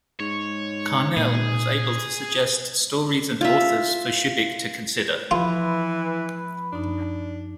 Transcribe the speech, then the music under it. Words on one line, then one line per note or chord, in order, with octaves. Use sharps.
Carnell was able to suggest stories and authors for Shubik to consider.
G#2 C#5
A#2 G#4
F4 E5
E3 F3 F4 B4
F#2 D4 D#4